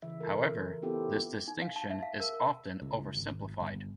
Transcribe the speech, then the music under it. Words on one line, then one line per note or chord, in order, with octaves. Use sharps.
However, this distinction is often oversimplified.
C#3 E3 E5
F4 A4 A#4
B3 C4 E4 F4 G4 A4
D#4
F5
A5
E5
F5
A#4
C#2
G#1
G1